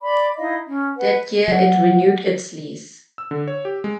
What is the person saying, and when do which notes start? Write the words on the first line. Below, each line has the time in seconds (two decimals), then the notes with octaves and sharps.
That year it renewed its lease.
0.01 D5 B5 C6 D6
0.37 D#4 E4 D#5 F5
0.65 C#4
0.98 B4 F#5
1.48 F#3 F#5
3.18 E6
3.31 D3
3.48 C#5
3.65 G4
3.84 G#3